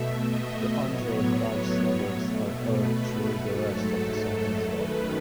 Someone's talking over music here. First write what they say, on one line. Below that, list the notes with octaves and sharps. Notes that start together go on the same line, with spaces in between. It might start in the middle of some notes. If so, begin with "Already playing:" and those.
The Andrae Crouch Singers are heard throughout the rest of the song as well.
Already playing: B2 A3 E5
D#5
A2 F#3 B3 C#5
B2 A3
B4
B4
G#2 F#3 A3 A4
F#2 D#3 A3 B4